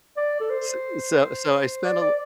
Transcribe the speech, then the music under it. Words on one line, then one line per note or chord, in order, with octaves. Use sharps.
s so so I spent a li
D5
A4
C5
D5
D5